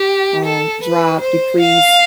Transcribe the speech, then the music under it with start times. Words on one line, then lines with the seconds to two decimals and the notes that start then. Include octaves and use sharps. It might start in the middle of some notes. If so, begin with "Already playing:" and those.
uh, drop, decrease.
Already playing: G4
0.45 A4
0.83 B4
1.21 C5
1.61 F5